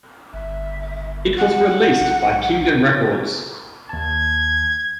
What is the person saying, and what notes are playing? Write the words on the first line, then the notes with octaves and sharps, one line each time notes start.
It was released by Kingdom Records.
G1 E5
F#5
B1
D#2 A5 G#6